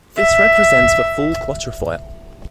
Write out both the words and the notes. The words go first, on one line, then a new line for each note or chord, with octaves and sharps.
This represents the full quatrefoil.
E5